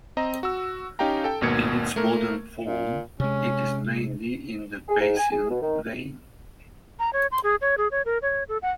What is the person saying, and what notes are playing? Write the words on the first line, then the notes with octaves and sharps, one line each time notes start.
In its modern form, it is mainly in the Bayesian vein.
C4 D#5 A#5
F#4 E6
C#4 D#4 G4 F5 G5 A#5
A4 G5
G#1 D#2 B2 A#3 G#6 C#7
A3 A#3 A#4
A#2
C3 G#3 C#4
G#4
G#2
G#5
G#4
B2
D#3
A#5
C#5
C6
G#4
C#5
G#4
C#5
A#4
C#5
A4
F#5